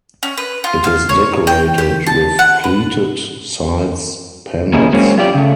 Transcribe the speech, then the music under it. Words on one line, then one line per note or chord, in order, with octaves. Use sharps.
It is decorated with pleated sides panels.
C#4
B4
F4
F5
C#5
G5
G4
A5
F#5
B4
A#3 C#4 E4 G#4 D#5
F#3 G#3 A#3 C4 C#4 G#4
F#2 F4 G4 D5 G5
C#3 A3